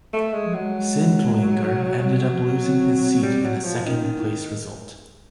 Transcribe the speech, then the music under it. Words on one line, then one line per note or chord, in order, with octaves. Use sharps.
Sindlinger ended up losing his seat in a second-place result.
A3
G#3
F3
F#3
G#3
G#3
F#3 G3
G3
F3
B3
C4
G3
F#3
F3
D#3 C#4
C#4
E4